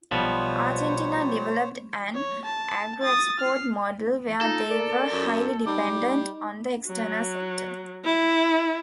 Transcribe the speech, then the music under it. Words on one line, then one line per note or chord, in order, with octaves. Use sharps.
Argentina developed an agro-export model where they were highly dependent on the external sector.
B1 B2 F3 G3 B3 C5 C#5
C#5
A5
D#6 A6
F6 C7
D#4 F4 A4
A#4 D5
F#2
G3 D#4 D6
F#3
E4